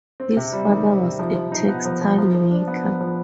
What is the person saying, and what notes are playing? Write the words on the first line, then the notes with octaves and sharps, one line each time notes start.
His father was a textile maker.
C4
C3
G3
D#3
C4
C3
F3
F3
D#4
B3
F3
F3
F3
F3
D4
B3
F3
F3